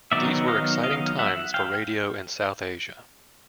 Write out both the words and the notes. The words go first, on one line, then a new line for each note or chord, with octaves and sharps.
These were exciting times for radio in South Asia.
D#3 F#3 B3 D#4 D5 E5
D#5 F5
D#5 F5
E5 F#5
F5 G5